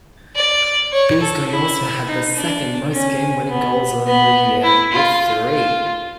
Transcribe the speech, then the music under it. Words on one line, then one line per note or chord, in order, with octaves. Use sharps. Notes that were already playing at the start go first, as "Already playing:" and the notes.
Beasley also had the second most game-winning goals on the year with three.
D5
C#5
A4
E4
D#4
D4
C#4
B3
B3
E4
F4
F4